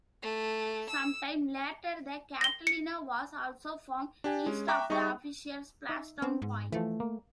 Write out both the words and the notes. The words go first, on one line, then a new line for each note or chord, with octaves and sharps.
Some time later the Catalina was also found, east of the official splashdown point.
A3
E6
A#6 G7
C#7
D4 G4 G#5
G#3 C#4
E5 G5 A#5 C#6 D6 F#6
G3 D#4 G#4 D#5 E5 C#6
D#4 E5
B3 C4
G#2
E3 F3 A3
A#3